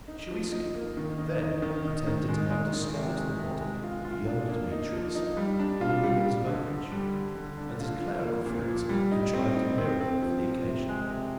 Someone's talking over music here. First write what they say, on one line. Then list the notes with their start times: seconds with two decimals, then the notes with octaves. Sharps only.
Shuiski then pretended to have discovered the body of young Demetrius in the ruins of Uglitch, and his clerical friends contrived a miracle for the occasion.
0.08 D#4
0.31 F3
0.52 D#4
0.74 A#3
0.97 D#3
1.18 D#4
1.40 D#4
1.62 D#3
1.84 D#4
2.07 D#3
2.29 G#3
2.50 G#3
2.73 D#3
2.94 C3
3.17 G#3
3.39 C3
3.61 G#3
3.83 F4
4.05 F4
4.27 D4
4.49 A#3
4.71 D#4
4.93 F3
5.15 D#4
5.37 G3
5.59 D4
5.81 F4
6.03 G3
6.26 D4
6.47 D3
6.70 D3
6.92 G3
7.14 D3
7.36 D3
7.57 D4
7.80 F4
8.02 F3
8.23 A#3
8.46 A#2
8.68 F3
8.89 G3
9.11 D#4
9.34 C4
9.56 D#4
9.78 C4
10.01 C4
10.22 F3
10.44 F3
10.67 C3
10.89 G#3
11.10 C3